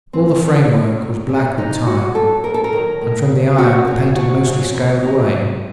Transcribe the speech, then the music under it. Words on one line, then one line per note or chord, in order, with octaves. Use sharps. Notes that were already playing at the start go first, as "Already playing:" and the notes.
All the framework was black with time, and from the iron the paint had mostly scaled away.
A2 C4
F3
F2
D#3 F#3
F2 C#4
C#3 F#3 D#4
A2 F#4
F#3 A4
F2 A#4
A4
A#4
D#3 F#3
A2
F#3
F#2 F#4
C#3 F#3 F#4
F2 F#4
C#3 F#3
D#2
D#3 F#3
A2